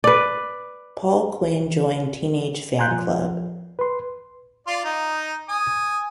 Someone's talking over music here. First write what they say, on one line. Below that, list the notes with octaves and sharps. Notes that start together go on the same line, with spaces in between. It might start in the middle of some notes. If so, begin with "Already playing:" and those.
Paul Quinn joined Teenage Fanclub.
B4 D5
G#5 A#5 C6 F#6 G6
F3
B4 C6
F4 D5 C6
D#4
G#5 D#6